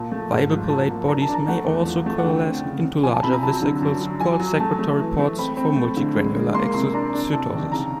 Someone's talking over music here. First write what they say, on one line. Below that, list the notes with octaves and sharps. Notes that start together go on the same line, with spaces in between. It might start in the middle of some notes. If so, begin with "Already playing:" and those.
Weibel-Palade bodies may also coalesce into larger vesicles called secretory pods for multigranular exocytosis.
Already playing: A#2 A5
A3
G#2
F3
F#3 A5
A#3
D4 A#5
A5
D4
A#5
A3 F#5
E2
F3
A3
F#5
D3 G5
C4
C#3
C#3
F3 G#5
A5
C3 B5
A#5
F#3 A5
D3
F#2
F#3
F#3 G#5
F#3
A3 A5
A3
E3
A3
C4 B5
C4
A3
D3
G#3
G#3
A#3 C6
C3 C6
D4 A#5
D4
C3 A5
D#3
C#3 A#5